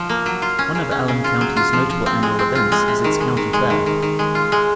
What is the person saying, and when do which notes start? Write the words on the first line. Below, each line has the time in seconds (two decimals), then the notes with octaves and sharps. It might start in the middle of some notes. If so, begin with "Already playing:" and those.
One of Allen County's notable annual events is its County Fair.
Already playing: F3
0.09 A#3
0.26 F#3
0.42 F4
0.59 C#4
0.75 C#3
0.91 C#4
1.08 C#3
1.24 F4
1.41 F#3
1.57 F4
1.73 F3
1.90 F3
2.06 C4
2.23 G#3
2.39 C4
2.55 F4
2.72 G#3
2.88 C3
3.04 D#3
3.21 G#3
3.37 D#3
3.53 G#3
3.70 D#3
3.86 D#3
4.02 D#3
4.19 G#3
4.35 F4
4.52 G#3